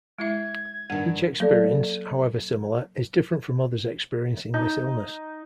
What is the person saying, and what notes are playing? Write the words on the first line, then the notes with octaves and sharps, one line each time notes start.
Each experience, however similar, is different from others experiencing this illness.
G#3 E4 E5 G#6
G2 D#3 F#5
F#3 A#3 A4 D5
D#4